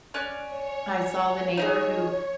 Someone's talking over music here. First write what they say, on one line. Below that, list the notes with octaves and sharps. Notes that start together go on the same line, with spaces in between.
I saw the neighbor who
C#4 D5 F#6
C#5
D#4 E4 G#4